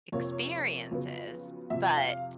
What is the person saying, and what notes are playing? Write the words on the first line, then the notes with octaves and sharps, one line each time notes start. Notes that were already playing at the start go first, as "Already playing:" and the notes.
experiences, but
F2 C3 F3 A#3 C#5
F2 C#3 F#3 B3
F2 C3 F3 E5
F5